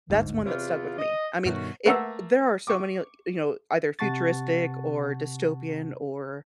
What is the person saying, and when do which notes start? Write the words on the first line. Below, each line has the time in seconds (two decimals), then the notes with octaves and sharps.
that's one that stuck with me. I mean, i there are so many, you know, either futuristic or dystopian or,
0.10 G1 D2 G#2
0.46 E2 C3 F4
0.97 D#5
1.45 G2 B2 D#3 A3 C#4 F#4
1.86 A3 A#3 B4 F#5 E6
2.67 C#6 D6
3.99 C3 F#5 A5 C#6 A6